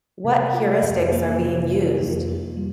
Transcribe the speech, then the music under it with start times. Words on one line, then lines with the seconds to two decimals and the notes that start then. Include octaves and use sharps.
What heuristics are being used?
0.25 C3
0.54 F4
0.83 F2
1.12 A#3
1.41 C3
1.70 F4
2.00 F2
2.29 A#3
2.57 G3